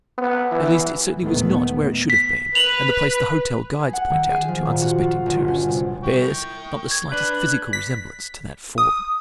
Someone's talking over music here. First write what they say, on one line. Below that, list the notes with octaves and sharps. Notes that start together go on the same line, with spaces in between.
At least, it certainly was not where it should have been, and the place the hotel guides point out to unsuspecting tourists bears not the slightest physical resemblance to that ford.
B3
E3
D#2 A#2 D#3 A3 B3
B6
B4 F7 F#7
G#4
F#5
D#3
G#4
F3
A#2
F#4
F4
G1
C#4
C3
G5 C#6
G#6
D4 B4
B6
D#6